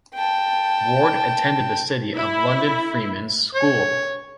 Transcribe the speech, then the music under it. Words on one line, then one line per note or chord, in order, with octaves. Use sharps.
Ward attended the City of London Freemen's School.
G5 A5
E4
C#5